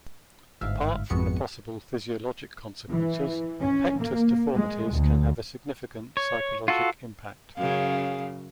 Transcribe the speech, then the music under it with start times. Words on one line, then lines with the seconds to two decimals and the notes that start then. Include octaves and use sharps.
Apart from the possible physiologic consequences, pectus deformities can have a significant psychologic impact.
0.61 G1 G#2 E5 F5
1.10 G#1 F2 G#3 B3 F#4 C#7
2.90 E3
3.61 C#4
3.98 A#3
4.54 G#3
4.91 D2
6.17 C#5
6.68 F4 F#4 A4
7.57 F#2 C#3 G#4 F5